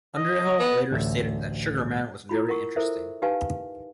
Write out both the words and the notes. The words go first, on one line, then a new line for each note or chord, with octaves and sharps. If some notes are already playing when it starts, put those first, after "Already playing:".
Underhill later stated that Sugerman was very interesting.
D#5
B3
A1 D2 E5
E4 F4 B5
A#4 F#5 C#6
E4 A4 A#4 C5 E5
D#4 G4 B4 F5 G#5 A5